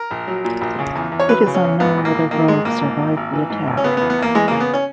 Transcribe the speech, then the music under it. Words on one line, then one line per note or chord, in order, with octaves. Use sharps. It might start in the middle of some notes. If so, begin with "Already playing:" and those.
It is unknown whether Rowe survived the attack.
Already playing: A#4
A#1
F#3
A#2
A#1
C#3
E2
E2
C#5
F#3 B4
C#3
C#4
E2
G#2 B3
A#1
A#3
A#1
D#3 A#3
G#2 G#3
A#1 A#3
G#2
G#1
G#1
E3
G#2
G#1
C#4
C#3 B3
B3
E2
B3
E2 A#3
E3 G#3
C#3 A#3
B3
C#4